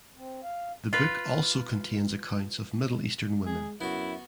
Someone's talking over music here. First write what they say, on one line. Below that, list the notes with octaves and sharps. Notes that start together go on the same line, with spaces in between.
The book also contains accounts of middle eastern women.
C4
F5
F4 B4
G#3 G#4
F#2 B3 E4 F#4